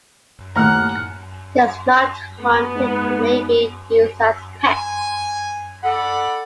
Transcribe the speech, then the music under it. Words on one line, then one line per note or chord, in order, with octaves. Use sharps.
It is not hunted but may be used as pets.
D#2 A2 F#5 A#5 F6
B3
G#2
G#5
D4 A4 D5 F#5 B5